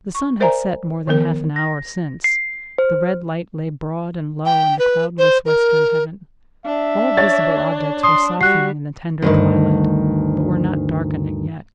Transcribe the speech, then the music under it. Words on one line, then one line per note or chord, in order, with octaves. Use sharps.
The sun had set more than half an hour since; the red light lay broad and low in the cloudless western heaven; all visible objects were softening in the tender twilight, but were not darkening yet.
C#6
A#4 C5 D5 E5 G#5 A#5
D#3 F3 B3 A#4 G5
A#6
C7
C5
G5
B4
C5
A#4
D4 E5
C#5 A6
C6 D#6
G3 F#4 F#6 C7
D2 G2 D#3